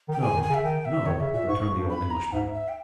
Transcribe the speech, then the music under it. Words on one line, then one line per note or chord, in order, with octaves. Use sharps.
"No--no," returned the old Englishman.
D#3
G5
C#3 G#5
D#3
G#5
C#3
E5
D#3 G5
E5
D#3 C#5
C#3 E5
A#2 E5
G#2 C#6
G2
G2
B5
A#5
G#2 E5
E5
G5